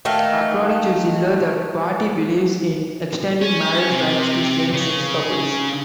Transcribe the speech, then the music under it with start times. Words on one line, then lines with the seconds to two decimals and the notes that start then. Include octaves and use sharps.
According to Ziller, the party believes in extending marriage rights to same-sex couples.
0.05 D#3 A3 F5
3.41 C#4
3.90 C3
4.73 C#3